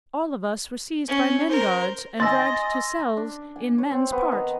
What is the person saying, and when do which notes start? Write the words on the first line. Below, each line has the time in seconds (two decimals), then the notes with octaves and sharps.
All of us were seized by men guards and dragged to cells in men's part.
1.08 C#4
1.47 A#4 C5
2.20 D#5 G#5 C6 E6 A6 A#6
3.17 D4
3.56 G#5
3.78 C#5
3.91 C4
4.12 B3
4.32 D#3